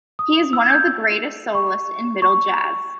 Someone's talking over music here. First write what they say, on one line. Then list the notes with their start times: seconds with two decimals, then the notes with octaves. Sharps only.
He is one of the greatest soloists in middle jazz.
0.19 D#6
0.53 E6
0.66 G#6
0.70 G6
0.88 E6
1.55 C#6
2.22 C#6